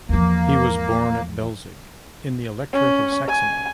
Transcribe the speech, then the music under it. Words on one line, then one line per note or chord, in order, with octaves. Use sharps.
He was born at Belzig, in the Electorate of Saxony.
E2 F3 A#3
C#4
G#5